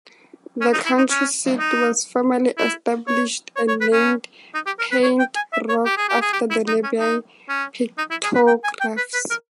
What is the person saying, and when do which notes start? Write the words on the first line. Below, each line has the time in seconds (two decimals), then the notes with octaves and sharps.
The county seat was formally established and named Paint Rock after the nearby pictographs.
0.61 C#4
0.73 D#4
0.85 E4
0.98 D#4
1.10 C#4
1.59 D#4
2.58 E4
3.07 C#5
3.56 C#5
3.68 C#5
3.81 B4
3.92 C#4
4.54 D#4
4.66 G4
4.79 A#4
4.91 B4
5.03 C#5
5.19 G5
5.36 G#5
5.53 E5
5.69 C#5
5.85 G4
5.97 G#4
6.09 G4
6.21 G#4
6.33 G4
6.50 E4
6.68 D#4
6.84 C#4
7.00 D#4
7.49 C#4
7.98 D#4
8.11 E4
8.24 G#4
8.35 B4
8.47 G5
8.64 G#5
8.80 G5
8.97 B4
9.14 B4
9.30 A#4